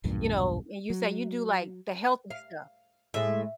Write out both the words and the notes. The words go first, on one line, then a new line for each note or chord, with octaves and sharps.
you know, and you say you do, like, the healthy stuff.
B1 E2 G2 A#2
F#3
F5
A2 G#3 E5